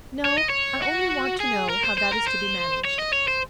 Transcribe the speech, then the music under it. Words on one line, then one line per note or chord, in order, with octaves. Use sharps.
"No, I only want to know how that is to be managed."
C#5
D#5
C#5
F#4
G#4
A#4
C5
C5
A#4
C5
C#5
D#5
C#5
C5